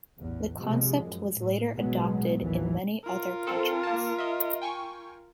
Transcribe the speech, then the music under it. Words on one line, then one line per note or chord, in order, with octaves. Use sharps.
The concept was later adopted in many other countries.
A1 E2
C3 F3 G#3
F#2
A2
A1 B2 F#3 G#3 B3
A1 D#2 E3 F#3
F4 A#4
C4 A4
A#3 A5
D#5 E5
G5 G#5 C#6